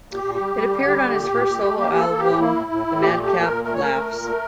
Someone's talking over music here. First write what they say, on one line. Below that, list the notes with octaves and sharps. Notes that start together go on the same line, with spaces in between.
It appeared on his first solo album, "The Madcap Laughs".
A#2 G4
A#2
G3 G4
G3
D3
G3
D3
A#2
A#2
A#2
A3
A#3 G4
A#3 A4
A#3
G4
A2
A#3 E4
A2
A2
A2
A#2 G4
A3
G4
A#2
A#4
A#2
A3 A#4
C#5
A3 A#4
A3
A#2
A3